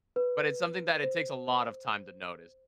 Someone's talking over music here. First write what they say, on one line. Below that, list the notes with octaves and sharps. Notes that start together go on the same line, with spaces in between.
But it's something that it takes a lot of time to notice.
B4
C5